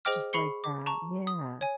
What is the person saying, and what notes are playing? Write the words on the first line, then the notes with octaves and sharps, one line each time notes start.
Just like that, yeah.
G#4 C5 D#5 G5 D6 F6
G#4 B5 C#6 C7 C#7 G7
D6
A5 A#5 C#6
D#6
C#5 G#5